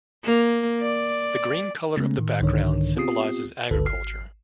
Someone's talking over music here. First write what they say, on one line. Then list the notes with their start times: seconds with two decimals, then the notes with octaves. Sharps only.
The green color of the background symbolizes agriculture.
0.24 A#3
0.81 D5
1.97 C#3 G#3 A3 B3 C#4
2.18 A2 D#3
2.41 C2 G#2 D3 D#3 D4 C#5
2.95 B3 C4 F4 G4 D#6 C7
3.71 G1 C#2 G2 D3 A4 B4
3.86 G#1 F6 C7